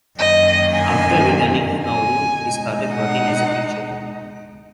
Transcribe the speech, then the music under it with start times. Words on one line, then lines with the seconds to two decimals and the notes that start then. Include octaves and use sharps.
After returning to Nauru, he started working as a teacher.
0.19 F#2 D#3 A#3 D#5
0.74 G#5
1.85 G#5
2.40 B2 G#3 D#4
2.95 F#5